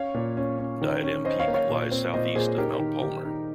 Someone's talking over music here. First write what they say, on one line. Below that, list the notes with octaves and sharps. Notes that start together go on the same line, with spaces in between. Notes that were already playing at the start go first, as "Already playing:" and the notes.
Diadem Peak lies southeast of Mount Palmer.
Already playing: C#4 C#5 F5
A#2
C#4
C#4
D#3
C#4
C#4 C5 D#5
C#5 F5
A#3
C#5 F5
A#2
C4
A#2 C5 D#5
A#2 G#4 C5
D#4 G4 A#4
D#3
D#3 G4
D#4